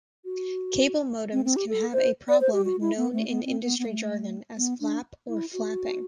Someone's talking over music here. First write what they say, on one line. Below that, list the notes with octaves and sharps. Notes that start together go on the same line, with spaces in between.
Cable modems can have a problem known in industry jargon as "flap" or "flapping".
F#4
C4
C4
G4
A4
C5
D5
C5
G4
F#4
E4
B3
A3
B3
C4
B3
B3
A3
B3
D4
E4
F#4